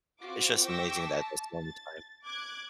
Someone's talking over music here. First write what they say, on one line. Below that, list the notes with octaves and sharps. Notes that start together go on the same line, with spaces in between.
it's just amazing that that's the only time
C4 F4 F#4 D6
G5 C#6 D6 E6 A#6 B6
A5
A6
D6 F#6 G#6